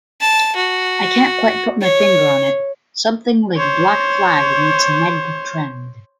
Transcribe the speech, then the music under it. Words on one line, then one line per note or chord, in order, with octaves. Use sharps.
I can't quite put my finger on it...something like Black Flag meets Neg Trend.
A5
F#4
C#5
C5 C#5